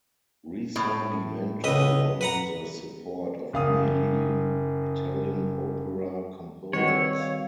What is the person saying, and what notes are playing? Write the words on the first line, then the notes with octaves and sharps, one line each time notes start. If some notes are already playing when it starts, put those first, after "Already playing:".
Risorgimento won the support of many leading Italian opera composers.
A2
C#2 B4 D#5
B4 F#5 A#5
F#1 F5 D#6
D#3 G3 C4 F#4 B4 C#5 D#5 F#5
E6
F5